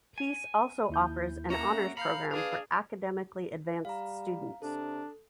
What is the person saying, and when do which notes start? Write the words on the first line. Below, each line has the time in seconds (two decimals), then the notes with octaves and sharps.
Peace also offers an honors program for academically-advanced students.
0.18 G#5
0.90 D#2 E4 G6
1.50 A#3 C#4 E5 F#5 A#5
1.97 F5 A#5 B5 G6 C#7
2.31 D4 G#4 B4 F5
3.85 G3 F5 A#5
4.62 C3 D4 A4